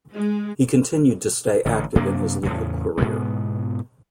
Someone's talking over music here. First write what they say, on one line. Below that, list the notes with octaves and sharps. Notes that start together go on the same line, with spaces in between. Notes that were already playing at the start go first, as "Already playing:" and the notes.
He continued to stay active in his legal career.
G#3
A1 D3
F#2 C3 A#3 D4
E2 A2 C#3
G#2 B2 G#3 B3